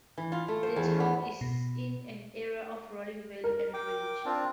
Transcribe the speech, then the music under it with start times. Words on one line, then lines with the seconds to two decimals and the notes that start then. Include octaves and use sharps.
The town is in an area of rolling valleys and ridges.
0.17 E3
0.32 F4
0.48 A3
0.63 C5
0.76 E2
1.00 B3
1.41 B2
3.44 A#4
3.74 G5 D6
4.25 C4 D4 F4